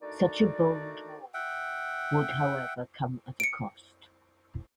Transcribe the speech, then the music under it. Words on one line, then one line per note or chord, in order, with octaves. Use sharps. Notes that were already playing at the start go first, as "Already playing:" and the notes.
Such a bold move would however come at a cost.
D#3 A3 D4 D#4 F#4 D5
E5 F#5 G5
C#7 D7